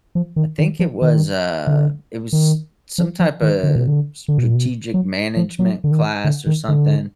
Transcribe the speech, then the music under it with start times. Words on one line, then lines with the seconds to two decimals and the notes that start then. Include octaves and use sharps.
I think it was a it was some typa strategic management class or something,
0.15 F3
0.36 D#3
0.58 D#3
0.79 F3
1.02 D#3
1.67 D3
2.33 D#3
2.98 F3
3.20 F3
3.42 D#3
3.63 D3
3.76 B2
3.88 D3
4.28 D3
4.38 B2
4.47 A#2
4.55 B2
4.94 F#3
5.37 F3
5.59 F#3
5.84 D3
5.91 D#3
6.24 D3
6.47 D#3
6.68 D3